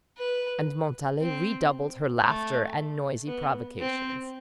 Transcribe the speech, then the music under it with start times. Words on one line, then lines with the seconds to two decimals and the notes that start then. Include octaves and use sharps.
And Montalais redoubled her laughter and noisy provocations.
0.17 B4
1.21 C4
2.24 A3
3.27 B3
3.80 C4